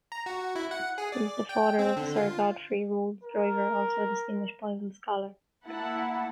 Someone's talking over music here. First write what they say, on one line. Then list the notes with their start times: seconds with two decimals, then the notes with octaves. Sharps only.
He was the father of Sir Godfrey Rolles Driver, also a distinguished Bible scholar.
0.12 A#5
0.26 F#4
0.56 E4
0.71 F#5
0.98 G#4
1.12 D5
1.49 G5
1.79 C4
1.97 D3
2.16 F4
3.23 A#4
5.66 A#3 E4 F#5 A5